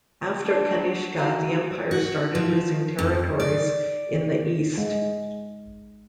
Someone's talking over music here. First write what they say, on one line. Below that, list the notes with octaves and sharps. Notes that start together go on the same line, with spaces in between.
After Kanishka, the empire started losing territories in the east.
D4 C5
F#3
F#3 E4 F#4 F5
F#4
F3
F2
D5
G#3